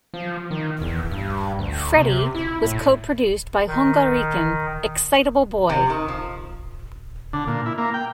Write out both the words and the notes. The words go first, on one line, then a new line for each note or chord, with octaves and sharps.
"Freddie", was co-produced by Hunga Rican, Excitable Boy!
F3
D#3
E2
G2
D2
C3
E4
A2
D#3
C3
D#3
F3
D3
A#2
E4
A#3
G5